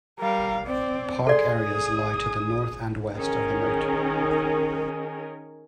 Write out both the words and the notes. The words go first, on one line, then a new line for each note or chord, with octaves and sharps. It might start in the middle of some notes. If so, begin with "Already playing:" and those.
Park areas lie to the north and west of the moat.
G3 A#4 F5
C4 D5
G#4 A4 D5 C6
D#6
D#3 C#4 D#4 G#4 A#4